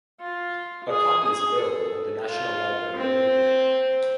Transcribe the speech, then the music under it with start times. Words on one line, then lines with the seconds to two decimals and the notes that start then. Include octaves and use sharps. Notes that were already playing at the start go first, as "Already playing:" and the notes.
A copy is available in the National Library of India.
0.20 F4
0.89 G#4
1.24 G#4
1.57 A4
2.28 F4
2.96 C4